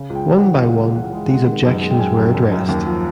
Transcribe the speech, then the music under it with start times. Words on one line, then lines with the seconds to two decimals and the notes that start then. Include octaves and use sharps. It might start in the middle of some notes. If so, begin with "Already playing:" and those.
One by one these objections were addressed.
Already playing: C#3
0.10 C#2
0.15 G5
0.26 C#2
0.38 F#5
0.44 E3
0.61 C#2 F5
0.78 G#3
0.96 E3 F#5
1.13 G#3
1.30 G#3 F#5
1.48 D#3
1.65 F#2
1.82 G#3
1.91 G5
1.99 F#2 G#5
2.17 F#2
2.35 F#2
2.52 F#2
2.69 D#2
2.87 F3